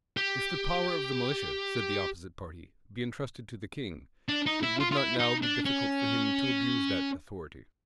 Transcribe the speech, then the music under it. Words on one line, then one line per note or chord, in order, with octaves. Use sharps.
If the power of the militia, said the opposite party, be intrusted to the king, it would not now be difficult for him to abuse that authority.
G4
D4
D#4
E4
F4
F4
E4
D#4
D4
C#4